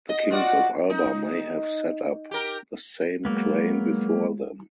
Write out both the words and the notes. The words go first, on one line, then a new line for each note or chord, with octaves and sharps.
The kings of Alba may have set up the same claim before them.
D#5
F4 F#4 D5
D#4
G4 A#4
F#3 G#3 A#3 B3